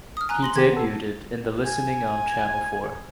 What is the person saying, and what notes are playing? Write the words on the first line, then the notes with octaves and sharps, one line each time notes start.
He debuted in The Listening on Channel Four.
D#6 F6
G#5 A#5 F#6
C6 A#6 F#7
D#3 G4 G#6
B3 A4
G#5